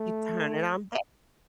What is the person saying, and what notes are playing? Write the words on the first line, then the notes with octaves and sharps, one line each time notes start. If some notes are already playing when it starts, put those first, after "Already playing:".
You turn it on back.
Already playing: A3